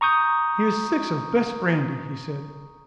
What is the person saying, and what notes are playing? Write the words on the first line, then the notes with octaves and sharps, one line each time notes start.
"Here's six of best brandy," he said.
A#5 C#6 D#6 G6